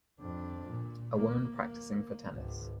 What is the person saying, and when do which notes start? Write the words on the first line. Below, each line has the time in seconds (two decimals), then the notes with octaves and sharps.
A woman practicing for tennis.
0.20 F2 D4
0.68 A#2
1.15 A#3
1.58 A#3
2.30 G#1 C#2